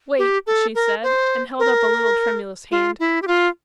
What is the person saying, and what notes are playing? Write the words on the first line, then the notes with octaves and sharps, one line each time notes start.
"Wait," she said, and held up a little, tremulous hand.
G4
A4
A#4
C5
A#4
F4
E4
G4
F4